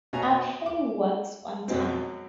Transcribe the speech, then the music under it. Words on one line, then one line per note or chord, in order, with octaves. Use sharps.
Abhay works on time.
B2 C#4 G#5 A#5
D6
F#2 B2 F#3 G#3 C4